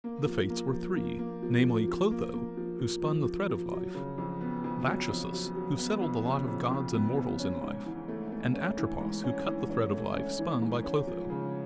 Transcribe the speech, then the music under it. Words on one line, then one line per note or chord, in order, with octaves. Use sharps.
The Fates were three, namely, Clotho who spun the thread of life, Lachesis who settled the lot of gods and mortals in life, and Atropos who cut the thread of life spun by Clotho.
A#3
F3
A#3
F3
A#3
A#3
F3
F3
F3
A#3
A#3
F3
F3
F3
F3
F3
F#3
C#3
F2
B3
F2
F#3
F2
F#3
F#3
B3
F2
C#3
F2
F2
B3
F2
C#4
G#2
E3
A3
A3
C#4
E3
G#2
C#4
E3
C#4
A3
C#4
E3
G#2
C#4
F3
C#3